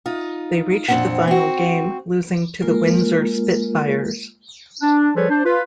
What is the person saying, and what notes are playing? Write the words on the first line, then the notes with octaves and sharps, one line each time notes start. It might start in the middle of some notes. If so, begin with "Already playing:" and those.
They reached the final game, losing to the Windsor Spitfires.
D#4 F4
F2 A#2 C#3 C4 D4 F#5
C4 F#4
G#3 A#3 F4 A#4
D4
F3 G3 G#4 A4 B4 C#5
D4 C5
F4 B4